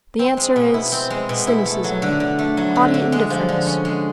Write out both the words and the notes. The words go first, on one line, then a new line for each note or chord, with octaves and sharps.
The answer is, cynicism--haughty indifference.
C4
G#3
B2
E4
C4
G#3
B2
E4
A3
F#3
D3
D3
A3
F#3
D3
D3
G#3
F3
D3
C#4
G#3